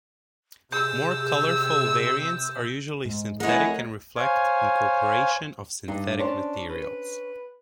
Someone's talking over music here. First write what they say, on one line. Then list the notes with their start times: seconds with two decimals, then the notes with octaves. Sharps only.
More colorful variants are usually synthetic and reflect incorporation of synthetic materials.
0.72 C3 G#4 E6 G6
3.05 G#2
3.40 F2 A3 E4 G#4 A#4 C#5 D#5 F#5
4.17 C5 C#5 F5 G#5
5.88 G2 D#4
6.19 C#4 D4 C5 A5
6.70 B4